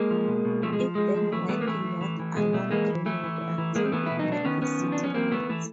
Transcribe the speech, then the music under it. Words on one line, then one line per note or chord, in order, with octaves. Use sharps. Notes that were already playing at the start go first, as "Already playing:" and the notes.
It then went north along Greenwood until it met the city limits.
Already playing: G#3 A#3
F3
B2
B2
F3 A3
G#3
F3
F3 G#3
F3
E3 A3
E3 A3 B3
A#3
E3 A3
E3
E3
E3
B2 G#3
B2 A3
E3 G#3 A#3
E3
E3 A3
E3
E3
E3
E3 G#3 A#3
C4
E3 A3 B3
B2 E4
D#4
B2
D4
D#3 B3 C#4
D#3 B3 C#4
F3
F3 D4
C#4
E3 A#3 C4
E3 A3 B3
E3 A3